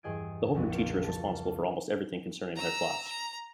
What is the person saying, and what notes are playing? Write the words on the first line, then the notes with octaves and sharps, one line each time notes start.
The homeroom teacher is responsible for almost everything concerning their class.
E2 G2 G#4 D#5 G#6 D7
A#1 F2
C#2 C#7
A4 A5
A#5 E6
A#5